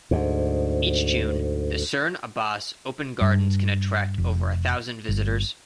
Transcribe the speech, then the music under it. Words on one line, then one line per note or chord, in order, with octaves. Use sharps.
Each June, the Cerne Abbas Open Gardens can attract over a thousand visitors.
D2 G#2
G2
F1
G1